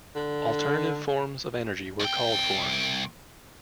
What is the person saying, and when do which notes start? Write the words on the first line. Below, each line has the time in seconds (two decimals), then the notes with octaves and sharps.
Alternative forms of energy were called for.
0.15 D3
2.00 C2 G5